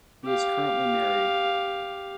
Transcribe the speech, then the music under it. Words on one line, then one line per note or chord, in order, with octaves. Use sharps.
He is currently married.
G4 F5